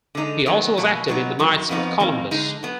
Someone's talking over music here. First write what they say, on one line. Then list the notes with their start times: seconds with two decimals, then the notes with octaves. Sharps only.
He also was active in the Knights of Columbus.
0.15 D3 G#3 D#4
0.46 D#3 F#3 B3
0.77 B2 F#3 A#3
1.08 A#2 F#3 B3 D#4
1.39 F#2 D#3 F#3
1.69 F2 F3 B3 D#4
2.00 F2 D#3 A#3
2.31 D3 G#3 D#4
2.63 F#3 B3